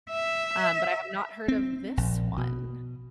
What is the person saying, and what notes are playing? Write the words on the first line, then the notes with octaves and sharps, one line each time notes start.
um, but I have not heard of this one.
E5
C4
A#1
B2